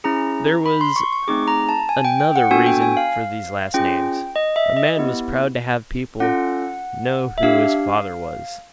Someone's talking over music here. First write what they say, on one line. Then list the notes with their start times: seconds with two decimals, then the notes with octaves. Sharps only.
There was another reason for these last names: a man was proud to have people know who his father was.
0.04 C#4 E4 G#4 A#5
0.66 B5
0.81 C6
0.96 C#6
1.12 C#6
1.28 A3 C4 D#4 G#4 D6
1.48 A#5
1.69 A5
1.89 G#5
2.05 G5
2.20 G5
2.36 F#5
2.51 B3 D4 F#4 A4 G#5
2.66 G5
2.82 G#5
2.97 F5
3.74 C#4 F4 G#4 G5
4.36 D#5
4.56 E5
4.77 D#5
4.97 B3 E4 G4
6.20 C#4 F4 A4 F#5
7.38 E5
7.43 D4 G4 F5